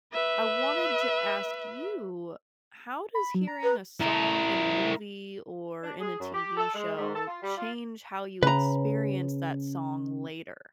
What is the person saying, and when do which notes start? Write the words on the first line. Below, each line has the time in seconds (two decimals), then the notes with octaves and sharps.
I wanted to ask you, how does hearing a song in a movie or in a TV show change how you experience that song later?
0.13 B4 E5
3.15 B5
3.35 F#3
3.47 A#5
3.63 B4
4.00 E4 A#4
5.83 D4
5.99 G#4
6.20 F#2
6.34 G4
6.57 A4
6.74 G#3
6.97 G#2
7.15 A4
7.27 F4
7.42 G3
7.57 F4
8.43 C#3 B4 A#5